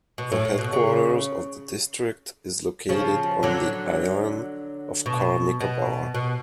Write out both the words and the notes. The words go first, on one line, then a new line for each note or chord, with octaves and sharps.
The headquarters of the district is located on the island of Car Nicobar.
B2
A2
A2
B2
C#3
C#3 F3
D3 F#3
B2
B2
B2